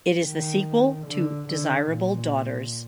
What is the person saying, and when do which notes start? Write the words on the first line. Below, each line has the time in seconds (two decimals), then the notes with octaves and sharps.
It is the sequel to "Desirable Daughters".
0.23 D#3
1.07 D3
1.49 D3
1.91 A#2